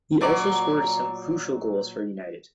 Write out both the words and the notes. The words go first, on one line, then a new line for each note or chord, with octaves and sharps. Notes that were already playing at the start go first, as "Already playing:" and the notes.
He also scored some crucial goals for United.
A#2 F#3 D5